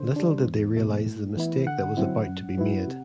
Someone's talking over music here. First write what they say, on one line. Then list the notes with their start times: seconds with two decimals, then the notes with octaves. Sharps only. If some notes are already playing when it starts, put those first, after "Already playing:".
Little did they realize the mistake that was about to be made.
Already playing: D3 C5
0.16 G3 D4
0.46 E2
0.76 B2 A3
1.06 A2
1.37 E3 B3 E4
1.67 D3 F#5
1.97 F#3 C4 E4
2.27 F#2
2.58 F#3 B3 E4
2.87 C3